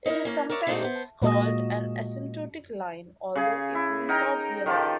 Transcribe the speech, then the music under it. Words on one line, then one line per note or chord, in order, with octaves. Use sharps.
It is sometimes called an asymptotic line, although it need not be a line.
D#4 E4 A#4
A#3 C#4
A#4 C#5 D5 E5 F#5
A#2 G#3 A3 C4 D4 D#4
B3 C5
A#2 G#3 A#3 F#4 D#5
C#3 G#4
E4
D#4 A#4 G5 A#5
D#3 F3 G4 A5